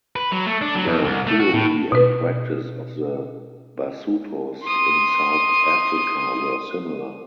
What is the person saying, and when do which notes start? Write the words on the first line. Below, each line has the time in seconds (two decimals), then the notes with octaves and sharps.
The theory and practice of the Basutos in South Africa were similar.
0.16 B4
0.32 F#3
0.46 A3
0.61 D4
0.75 F#3
0.87 F2
1.04 C2
1.27 A3
1.40 F#4
1.54 A2
1.92 B2 B4
4.64 C6 D#6